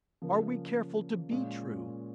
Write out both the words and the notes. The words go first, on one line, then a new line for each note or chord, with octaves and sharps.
Are we careful to be true?
C#3 F3 A#3 C#4
A#2 G#3 C#4 F4